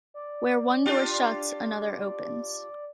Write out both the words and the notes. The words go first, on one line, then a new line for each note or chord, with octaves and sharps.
Where one door shuts, another opens.
D5
D4 F4 G4